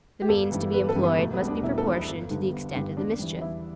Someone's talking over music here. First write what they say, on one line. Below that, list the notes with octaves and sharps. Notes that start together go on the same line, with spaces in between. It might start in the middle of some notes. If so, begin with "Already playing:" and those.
The means to be employed must be proportioned to the extent of the mischief.
G4
G1 A4
G2 E3 G3
G1 B4
A4
G2 E3 G3
B3
E1 A3
B3
E2 B2 G3
D4
E1 E4
A4
E2 B2 G3
B3
G1
G2 D3 G3
G1
G2 D3 G3
E2 D4
E3 G3
E2 E4